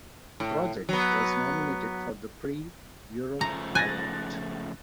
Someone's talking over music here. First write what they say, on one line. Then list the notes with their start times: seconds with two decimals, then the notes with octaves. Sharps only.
Project was nominated for the Prix Europe award.
0.40 A2
0.89 F#3 B3
3.41 C#3 F3 A3 A#5
3.75 G#5 F#6 A6 A#6